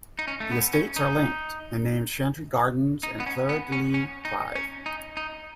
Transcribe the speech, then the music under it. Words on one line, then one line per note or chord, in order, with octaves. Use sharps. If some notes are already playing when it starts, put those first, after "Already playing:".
The estates are linked, and named Chantry Gardens and Fleur De Lys Drive.
D#4
C#4
A3
B3
C#4
D#4
D#4
B3
C#4
B3
C#4
C#4
D#4
C#4
D#4
D#4